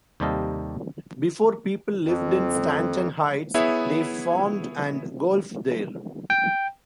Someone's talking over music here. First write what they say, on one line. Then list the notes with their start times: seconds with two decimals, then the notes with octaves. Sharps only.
Before people lived in Stanton Heights, they farmed and golfed there.
0.20 D#2 C3 G3 A4 D#5 F5
2.05 F2
3.54 B3 E4 G#4 C#5 E5
6.30 G5